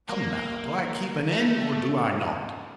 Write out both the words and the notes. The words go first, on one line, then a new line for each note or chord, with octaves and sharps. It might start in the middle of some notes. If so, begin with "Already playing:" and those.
Come now, do I keep an inn, or do I not?
A#3
A3